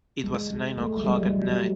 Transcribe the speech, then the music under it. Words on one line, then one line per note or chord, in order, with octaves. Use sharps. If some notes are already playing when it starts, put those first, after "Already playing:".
It was nine o'clock at night.
G#3
G#3
A3
G#3
G3
F#3
G3
F#3